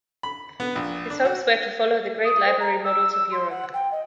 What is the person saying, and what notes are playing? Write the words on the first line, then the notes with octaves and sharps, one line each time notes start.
His hopes were to follow the great library models of Europe.
B5
B3
A#1
D4
F#4
D#6
C5
A#5
E6
E6
C6
F#5
G5
D#5